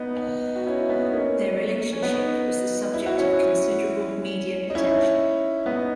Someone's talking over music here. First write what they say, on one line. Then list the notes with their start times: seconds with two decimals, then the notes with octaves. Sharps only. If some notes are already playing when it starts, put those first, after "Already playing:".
Their relationship was the subject of considerable media attention.
Already playing: B3 D#4
0.55 F#4
0.67 C#4 E4
0.89 B3 D#4
1.06 D#4
1.12 A#3 C#4
1.92 C#4
2.03 B3 D#4
2.94 E4
3.06 F#4
3.18 C#4 E4
4.70 D#4
4.75 C#4 E4
5.66 B3 D#4